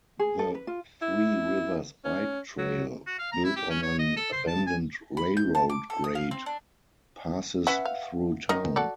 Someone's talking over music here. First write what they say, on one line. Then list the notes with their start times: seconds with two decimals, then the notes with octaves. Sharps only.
The Three Rivers Bike Trail, built on an abandoned railroad grade, passes through town.
0.19 G#4
0.39 A4
0.55 B4
0.67 F4
1.02 E4
2.05 C#4
2.58 F#3
3.06 F#4
3.19 F5
3.32 A#5
3.44 E4
3.56 G4
3.70 C#4
3.82 C#5
3.99 D#5
4.17 A4
4.32 C5
4.48 A5
4.67 G#5
5.17 B5
5.37 G6
5.55 A5
5.69 D6
5.90 A4
6.04 D#6
6.15 F5
6.31 C4
6.46 D4
7.67 C#4 B4 E5 F#5
7.85 F5
8.49 D#3 A#4 D#5
8.76 F#4 A4 D5